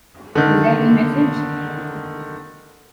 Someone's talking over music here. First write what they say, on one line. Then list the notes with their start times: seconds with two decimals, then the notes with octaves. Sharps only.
Is there any message?
0.35 D3 D#3